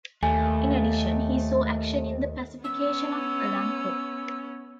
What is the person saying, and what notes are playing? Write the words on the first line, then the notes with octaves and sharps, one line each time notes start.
In addition, he saw action in the pacification of Olancho.
D#2 A3 G#5
B3 C#4 E6